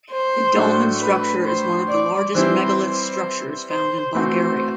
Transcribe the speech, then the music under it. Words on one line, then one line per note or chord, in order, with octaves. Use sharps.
The dolmen structure is one of the largest megalith structures found in Bulgaria.
C5
A2 F#3 A3 D4 A4
B4
C5
D5
E3 G3 C4 E4 C5
C5
C5
E3 A3 C4 F#4 C5